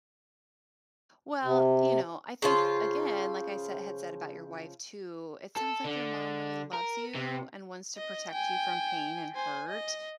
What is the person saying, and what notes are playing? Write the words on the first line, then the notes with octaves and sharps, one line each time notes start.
Well, you know, I think, again, like I said had said about your wife too, it sounds like your mom really loves you, and wants to protect you from pain and hurt.
C3
C#3 F3 F4
A4
D3
A#4
C3
D#5
G5 G#5
C5 G#5
D#5